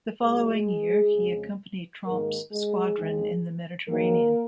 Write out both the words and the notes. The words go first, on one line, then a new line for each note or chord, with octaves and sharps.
The following year, he accompanied Tromp's squadron in the Mediterranean.
A#2 F#3 G#3 G#4
F2 C#3 G#3
G#2 D#3 G#3 A#3 A#4
G#3 G#4
D#2 D#3 G#3
G#2 D#3 F#3 A#3 A#4